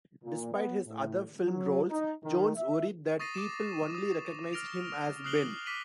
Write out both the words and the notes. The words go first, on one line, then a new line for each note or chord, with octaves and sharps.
Despite his other film roles, Jones worried that people only recognized him as Ben.
A#2
B3
A2
F#3
D#4
D#3
E5
C#6 D#6 A6 A#6 C7 D#7
D6 E7
D6 D#6
F6 A#6 D7 F7
D#6 F6 F#6 C7 F#7 G7
D6 B6 D#7 F#7